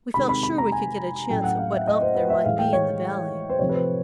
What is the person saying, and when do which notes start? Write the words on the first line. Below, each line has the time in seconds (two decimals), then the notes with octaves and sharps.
We felt sure we could get a chance at what elk there might be in the valley.
0.14 C3 D#3 G#3 C4 B5
0.29 B5
0.43 B5
0.58 A#5
0.72 G#5
1.29 A2 F#3 A3 C#4 G5
1.44 F#5
1.59 F5
1.73 E5
1.88 D#5
2.02 C5
2.15 B4
2.30 E5
2.45 A2 E3 G#3 F5
2.59 G5
2.73 C#5
3.50 C5
3.59 C3 F3 A3 C4 C#5
3.69 B4
3.74 C5